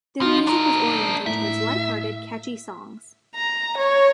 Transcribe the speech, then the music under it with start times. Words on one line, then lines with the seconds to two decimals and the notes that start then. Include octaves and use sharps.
Their music was oriented towards lighthearted, catchy songs.
0.21 F3 D#4 F4 F#4
0.47 D4 A#4
1.26 A2 E5
3.35 A#5
3.77 C#5